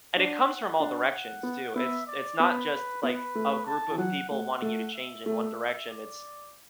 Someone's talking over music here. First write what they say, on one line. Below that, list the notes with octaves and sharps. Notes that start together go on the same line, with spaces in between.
and it comes from all directions, too, it's it's not just, like, a group of people wanting you to change in one direction, it's
D4 F#5
D4 F#5
F#5
B3
B3 E5
D5
B3 B4
B3 B4
A3
A5
E3
F#3 F#5
A3 F#5
A3
E5
A3 E5
D5